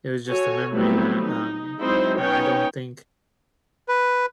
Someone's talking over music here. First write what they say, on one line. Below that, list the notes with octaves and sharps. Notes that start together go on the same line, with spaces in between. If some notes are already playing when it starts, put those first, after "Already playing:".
it was just a memory that, um, I I don't think
F#4 A4 C#5 G#5
F#3 G3 A3 B3 C4 E4
D#4
F#3 G#3 C4 D#4 E4 C5
B3 C#4 D#4 C#5 G5
B4